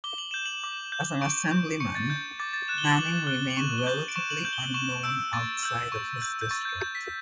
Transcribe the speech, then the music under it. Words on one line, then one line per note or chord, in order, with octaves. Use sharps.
As an Assemblyman, Manning remained relatively unknown outside of his district.
D6 G7
F#7
G6 E7
F#7
D6
G6
C#6 D7
G6
C#6 C#7
A6
G6
D6 A6
A6
F#6 E7
G7
F#7
D6 E7
F#6 G7
F#7
C#6 E7
G7
G6 F#7
D7
C#6 E7
F#7
G6 F#7
G7
F#7
C#6 E7
E6 G6 D7
C#6 A6
E6 G6
C#6
G6
G6
C#6 A6
G6
G6
B6